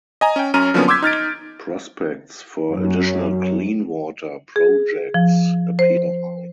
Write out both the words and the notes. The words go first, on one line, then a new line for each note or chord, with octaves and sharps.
Prospects for additional clean water projects appear high.
D#5 G#5 A#5
C#4 G5
F#2 C#4 A#5 F6 D#7
D3 F3 F#3 A#3 B3 C#4
C6 D6 E6 G6 G#6 B6
D#4 F6 A6 D7
F#2
G#4
F3
C5